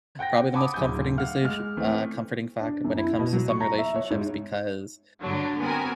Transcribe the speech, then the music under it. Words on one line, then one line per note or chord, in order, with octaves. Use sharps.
probably the most comforting decis uh, comforting factor when it comes to some relationships because,
F#5 G5 G6 A#6
F#5 G#5 A5 B5 D6 D#6
D1 G#5 G6
F5 F#5 F6
G#3 F6
E3 A3 C4
D4
F#2
E4
B2
F#3
C#6
A#5
E5
C#5
G#2
G2 D3 F#3 D4
B3 C4 F#4 A#4 G#5